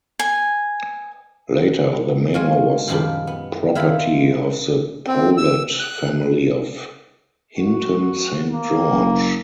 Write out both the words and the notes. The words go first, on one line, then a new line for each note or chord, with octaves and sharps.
Later the manor was the property of the Powlett family of Hinton Saint George.
G#5
G#3 F4 F#4
F#2 A#2 D#3 F3 G3 B5
B3
D#3 E4 F4 B5
C4
E6
F#6
F#4
A#3
F#1